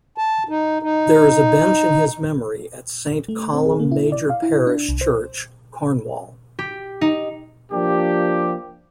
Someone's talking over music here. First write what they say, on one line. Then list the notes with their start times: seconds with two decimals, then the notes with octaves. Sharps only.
There is a bench in his memory at Saint Columb Major Parish Church, Cornwall.
0.18 A5
0.49 D#4
0.82 D#4
3.28 A3
3.53 C4
3.66 G#4
3.80 A#3
3.91 E4
4.12 D5
4.30 F5
4.42 E4
4.67 D4
4.89 C2
5.01 C5
6.59 G4
7.01 D#4
7.72 F3 A#3 D4 G4